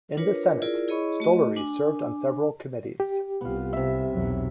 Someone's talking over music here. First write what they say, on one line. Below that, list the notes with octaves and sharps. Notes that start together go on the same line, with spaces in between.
In the Senate, Stollery served on several committees.
D4 F4 A#4 B4 C#5
E4 F4 G#4 A#4 D5
E4 G#4 C#5 D#5 B5 C#6
A3 F#4 D#5
D4 G#5 D6
G4
C2 B3 F4
C3 E5
B1 E2 F#3